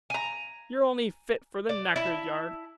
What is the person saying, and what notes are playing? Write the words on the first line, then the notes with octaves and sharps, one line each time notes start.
You're only fit for the knacker's yard.
G#5 A#5
D5
E4 A5